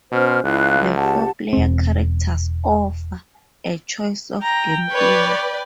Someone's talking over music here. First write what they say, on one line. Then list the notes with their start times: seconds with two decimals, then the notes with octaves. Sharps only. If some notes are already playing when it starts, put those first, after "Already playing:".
The four player characters offer a choice of gameplay.
0.12 B2 C#4 C5 F6
0.44 C#2 E4 F5 F#6
0.96 G4 F#5 A5
1.53 E1 C4
4.42 G5 A#5
4.92 B4 C#5 D5